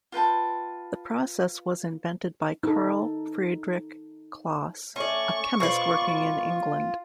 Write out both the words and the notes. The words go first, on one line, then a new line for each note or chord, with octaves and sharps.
The process was invented by Carl Friedrich Claus, a chemist working in England.
F4 B4 G5 A5
D#4 A4
A3 C#4 D5 C#6
B2 F4 C5 D5